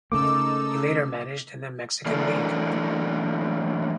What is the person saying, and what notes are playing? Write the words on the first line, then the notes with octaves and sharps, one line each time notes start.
He later managed in the Mexican League.
C#3 A3 A#3 D#4 A4 D6 E6
E3 F#3 A3 A#3 D4